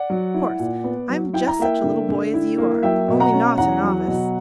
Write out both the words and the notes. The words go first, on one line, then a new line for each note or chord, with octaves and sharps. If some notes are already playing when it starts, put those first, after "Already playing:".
Of course I am just such a little boy as you are, only not a novice.
Already playing: D5 F#5
F#3
E4
A#2
B3
F#3
E4 G5
A#5
A#3 E5 G5
D3
D3
E4
A#3
F#3 E5 G5
B2
F#5 A#5
C#4
E2 F#5 A#5
F#3
B2